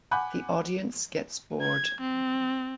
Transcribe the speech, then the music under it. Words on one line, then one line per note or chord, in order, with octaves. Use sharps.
The audience gets bored.
F#5 G#5 B5 D6 F#6 G6
G#6
C4